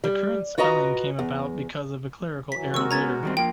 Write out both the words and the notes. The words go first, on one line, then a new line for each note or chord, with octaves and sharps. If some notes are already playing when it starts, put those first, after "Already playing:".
The current spelling came about because of a clerical error later.
G3
F4 F#4 B4 D#5 A#5
E2
E3 F#3 B6
D#2 C3 G#3 F#4 A#4 C#6 E6
B3 C#4 A#5 G#6 A6
D#3 G3 C4
F3 A#3 G5